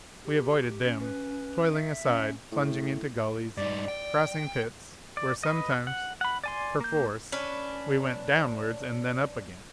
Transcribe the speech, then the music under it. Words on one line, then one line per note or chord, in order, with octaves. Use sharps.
We avoided them, toiling aside, plunging into gullies, crossing pits where sometimes, perforce, we went downwards, and then up again.
G4
C#4
B4
E5
C#4
A2
G2 D#4 D5
G5
D5
B4 D#5
F#5
F#5 B5
D5 G#5 C6
A#3 G6
C#4 D4 B4